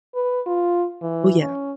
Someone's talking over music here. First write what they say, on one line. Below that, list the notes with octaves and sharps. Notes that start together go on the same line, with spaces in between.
Ooh, yeah.
B4
F4
E3
C#4